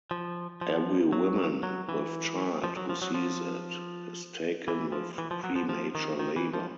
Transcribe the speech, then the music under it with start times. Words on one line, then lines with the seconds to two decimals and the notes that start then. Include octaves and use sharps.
Every woman with child who sees it is taken with premature labor.
0.11 F3
0.61 F3
1.13 F#3
1.63 F#3
1.89 E3
2.64 F3
2.77 F#3
2.89 F3
3.02 F#3
3.14 F3
4.68 E3
4.92 F3
5.18 E3
5.31 F3
5.44 F#3
5.56 F3
5.69 F3
5.95 D#3
6.19 D#3
6.36 E3
6.53 F3